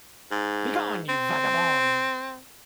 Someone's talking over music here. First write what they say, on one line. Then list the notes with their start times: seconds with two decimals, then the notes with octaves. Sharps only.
Begone, you vagabond!
0.31 G#2
1.09 C4